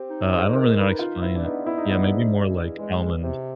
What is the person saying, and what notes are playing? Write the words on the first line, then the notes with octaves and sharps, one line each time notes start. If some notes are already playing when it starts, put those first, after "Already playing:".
Uh, I don't really know how to explain it. Yeah. Maybe more like almond.
Already playing: C4 G4
D#4
G#3 C5
D#3 A#4
D#4 B4
D#3 F4
B3 E4
D4
B3 D#4
B3 E4
D#4
B3 D4
D#4
G#2
E2
E2
G#3
E2
C3